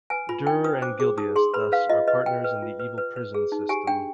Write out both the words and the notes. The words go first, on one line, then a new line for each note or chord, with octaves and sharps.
Durer and Guildias thus are partners in the evil prison system.
B4 G#5
F4 B5
D4 G5
B4 D#6
C5 D6
G#4 D6
D#4 D#6
G#4 C6
B4 B5
B4 F5
F4 D#5
B4 D#5
B4 G5
B4
F4
B4
B4
B4
G#4
D#4
G4 G#5
D4 G5